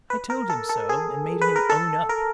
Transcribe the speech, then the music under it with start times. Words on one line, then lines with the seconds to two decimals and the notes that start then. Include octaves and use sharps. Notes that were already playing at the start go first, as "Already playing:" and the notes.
I told him so, and made him own up.
0.10 B4
0.30 A#4
0.50 A4
0.69 A4
0.89 G#4
1.42 B4
1.56 A#4
1.70 A4
2.09 A#4